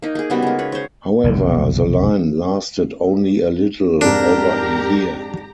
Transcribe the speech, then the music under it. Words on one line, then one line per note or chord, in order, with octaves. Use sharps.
However, the line lasted only a little over a year.
A#3 D#4
A#3 G#4
C#3 G3 B3 F#4
G#3 A#3
B4 C#5
C5 C#5
F1 B1 D3
F2 G#2 C3 D4 G4 A#4 A#5